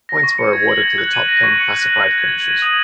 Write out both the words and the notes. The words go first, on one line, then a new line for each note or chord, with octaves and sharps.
Points were awarded to the top ten classified finishers.
A#6
C#6
C#7
G#6
F#7
G#6
F#6
D#7
A#6
C#6
C#7
F#6
F#7
F#6
G#6
F#7
D#7
D#6